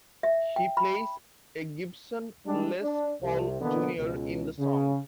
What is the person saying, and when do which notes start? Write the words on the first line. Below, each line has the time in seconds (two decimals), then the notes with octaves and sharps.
He plays a Gibson Les Paul Junior in the song.
0.23 E5
0.56 G5
0.77 B5
2.46 G3 G#3 D4
2.82 D4
3.21 C2 C3
3.61 B2 D3 E3 A#3 B3 D4
3.98 C#2 B2
4.57 C#3